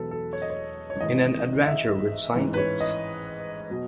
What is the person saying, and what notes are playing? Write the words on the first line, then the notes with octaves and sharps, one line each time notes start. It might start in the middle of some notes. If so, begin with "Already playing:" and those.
In an Adventure with Scientists!
Already playing: E1 E2 B2 F#3 A4 B4
A4
C#5
D#5
C#5
C#5
G#1 G#2 E3 D#5
E5
A1 G#2 E3
B4
C#5
D#5
B2 F#3